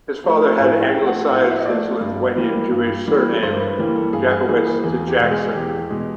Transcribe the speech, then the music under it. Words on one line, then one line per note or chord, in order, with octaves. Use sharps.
His father had Anglicised his Lithuanian Jewish surname Jakowitz to Jackson.
F3 A3
A2 G#5
G5
F3 A3
F#5
A2 F#5
F5
E5
D#5
F3 A3 D5
G2
E3 G3 A#3
G2
E3 G3 A#3
G2 C5
A#4
B4
E3 G3 A#3 A#4
A4
G2 G#4
G#4
E3 G3 A#3 G#4
G#4
E2 G#4
G4
B2 G#3
G#4
E2 G4
B2 G#3